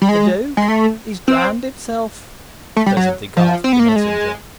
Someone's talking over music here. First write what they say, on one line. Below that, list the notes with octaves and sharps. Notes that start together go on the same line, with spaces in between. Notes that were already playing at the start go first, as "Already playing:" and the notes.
"The Duke, he's drowned himself," presently gasped the Messenger.
G3
G#3
G#3
A3
C4
A3
G3
F#3
F3
C4
B3
A#3
A3
G#3